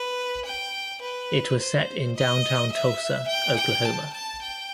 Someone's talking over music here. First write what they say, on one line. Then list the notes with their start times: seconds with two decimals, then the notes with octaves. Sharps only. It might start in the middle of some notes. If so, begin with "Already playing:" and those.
It was set in downtown Tulsa, Oklahoma.
Already playing: B4
0.46 G5
1.02 B4
1.59 C5
2.16 D#5
2.72 E5
3.28 G5
3.57 G5
3.85 A5
4.14 A5
4.42 G5